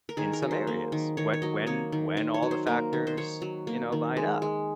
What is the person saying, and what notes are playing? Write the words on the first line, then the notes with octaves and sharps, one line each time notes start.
in some areas when when when all the factors, you know, line up.
A#4
D#3 G#4
A#4
F#3
C5
A#3
D#3
D#3 C#5
C#5
F#3 D#5
A#3 C#5
D#3
D#3 C5
C#5
F#3
C5
A#3 A#4
D#3
C5
D#3 C#5
F#3
A#3
D#3
G#3
G#3